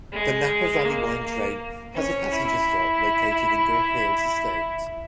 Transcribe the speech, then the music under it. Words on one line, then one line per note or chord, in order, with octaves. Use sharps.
The Napa Valley Wine Train has a passenger stop located at Grgich Hills Estate.
G#3
A#3
A#3
C#4
E4